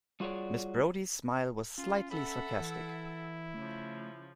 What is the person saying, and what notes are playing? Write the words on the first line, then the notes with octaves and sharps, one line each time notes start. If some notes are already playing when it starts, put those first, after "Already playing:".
Miss Brodie's smile was slightly sarcastic.
G3 F4 F#4 G#4 C#5 D5
C#4 F4
A4 E5 F#5 B5
E3 E4
C#3 F3 A3